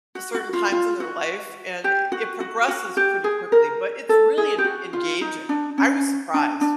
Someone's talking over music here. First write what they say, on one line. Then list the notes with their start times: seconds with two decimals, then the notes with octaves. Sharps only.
to certain times in their life, and it progresses pretty quickly, but it's really en engaging. I was surprised.
0.15 F#4
0.35 F#4
0.53 F4
0.72 F4
1.00 F#4
1.84 G4
2.12 F#4
2.40 F#4
2.68 F#4
2.97 G4
3.24 G#4
3.52 A#4
4.09 A4
4.38 G#4
4.58 G4
4.64 F#4
4.93 F4
5.21 D#4
5.49 D4
5.78 C#4
6.34 D4
6.61 D4